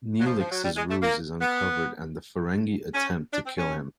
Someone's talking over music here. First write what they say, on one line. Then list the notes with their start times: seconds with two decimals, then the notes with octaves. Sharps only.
Neelix's ruse is uncovered and the Ferengi attempt to kill him.
0.20 F#3
0.26 F3
0.39 F3
0.51 F#3
0.64 G3
0.77 G#3
0.90 A3
1.02 A#3
1.41 B3
2.94 C#4
3.32 D4
3.46 C4
3.58 C#4